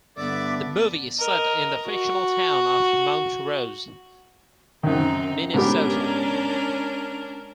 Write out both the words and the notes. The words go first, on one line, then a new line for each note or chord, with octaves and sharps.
The movie is set in the fictional town of Mount Rose, Minnesota.
G2 D3 B3 D5 E5 D6
A#4 D#5
F#4
F#2 D#3 C4 D#4
G#2 B3 C#4 D4 G4 A#4